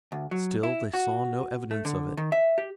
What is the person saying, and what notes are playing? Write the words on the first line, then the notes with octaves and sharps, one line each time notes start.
Still they saw no evidence of it.
D2
F#3
E4
F#4
A3
D3
D#3
E5
G4